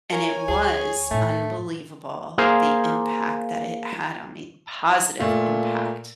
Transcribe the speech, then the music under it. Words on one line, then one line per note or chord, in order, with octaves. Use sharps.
And it was unbelievable, the impact that it had on me, the positive impact.
A#4 C#5 G#5
D2 G#4
A2 A3 D#4
A#3 G#4 C5 F5
A#2 A3 F4